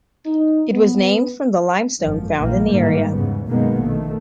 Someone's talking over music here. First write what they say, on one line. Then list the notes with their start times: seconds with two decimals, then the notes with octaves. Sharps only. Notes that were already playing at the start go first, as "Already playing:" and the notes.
It was named from the limestone found in the area.
0.25 D#4
0.72 B3
2.01 G#1 F#2 F3
2.38 A#1 G3 A#3
2.68 A1 G#2 D#3 G3 A#3
3.15 E2 G#2 C#3 B3
3.48 F#2 B2 D#3 G#3 A#3 B3
3.80 A#1 D#3 A3